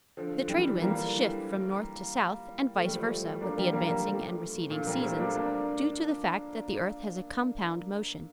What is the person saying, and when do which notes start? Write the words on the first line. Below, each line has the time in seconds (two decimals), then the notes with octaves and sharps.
The trade winds shift from north to south and vice versa with the advancing and receding seasons, due to the fact that the earth has a compound motion.
0.17 D3 F3
0.49 E3 G3
0.82 G3 A#3
2.76 A3
2.85 G3
2.94 F3 A3
3.41 A#3 D4
3.57 G3 A#3
3.73 G3 A#3
3.90 G3 A#3
4.06 F3 A3
4.70 A#2 D3
4.87 G3 A#3
5.03 A3 C4
5.19 A#3 D4
5.36 A#3 D4